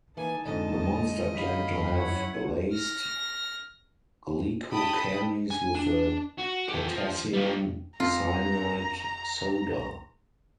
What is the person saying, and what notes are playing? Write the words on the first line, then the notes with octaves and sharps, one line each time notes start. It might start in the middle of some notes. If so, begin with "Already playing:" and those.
The Monster claimed to have laced Glico candies with a potassium cyanide soda.
E3 A#3 D#4 G#5 A5
F2 G#2 D3 G#3 D#5
F#2 F#3 F5 B5
E4 C#5 F#5
F6 A#6
G5 A5 B5 D#6
G#5
D4
F#4
G4 A4
F3
G3 F4
F2 F4 A#5